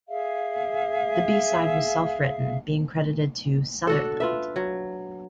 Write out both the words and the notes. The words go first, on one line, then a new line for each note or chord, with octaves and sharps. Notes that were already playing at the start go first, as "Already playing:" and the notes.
The B-side was self-written, being credited to 'Sutherland'.
G#4 E5 F5
D4 F#4 A4
F4 B4 E5
F#3